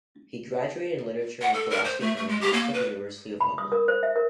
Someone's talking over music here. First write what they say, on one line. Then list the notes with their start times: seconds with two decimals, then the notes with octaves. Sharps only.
He graduated in literature and philosophy from the Catholic University of Lublin.
1.41 F#5
1.54 A4
1.70 A#4
1.85 C5
2.00 A3
2.16 A3
2.29 G#3
2.41 G4
2.53 A#3
2.74 B4
3.40 B5
3.58 D#6
3.72 A#4
3.88 C5
4.03 E5
4.16 A#4